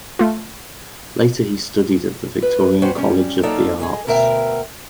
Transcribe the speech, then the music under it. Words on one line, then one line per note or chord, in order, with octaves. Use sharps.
Later he studied at the Victorian College of the Arts.
A3 F4
B4
B3 C#4 D4 F#4 C5 G5
G3 C#4
F#3 A#3 D#4 F4 A4 D5
G#4 D#5 G#5
D2 B2 A#4 E5 G5